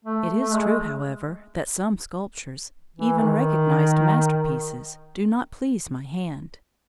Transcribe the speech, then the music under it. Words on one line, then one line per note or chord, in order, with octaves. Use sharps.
It is true, however, that some sculptures, even recognized masterpieces, do not please my hand.
A3
A3
G#3
E3
D#3